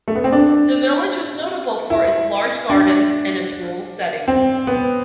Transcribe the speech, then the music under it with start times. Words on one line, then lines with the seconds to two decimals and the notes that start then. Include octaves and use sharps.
The village was notable for its large gardens, and its rural setting.
0.08 A3
0.16 B3
0.24 C4
0.32 D4
1.90 E4
2.70 D4
4.28 C4
4.67 B3